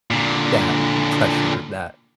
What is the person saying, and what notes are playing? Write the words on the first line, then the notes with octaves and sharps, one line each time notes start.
that pressure, that
A#2 D3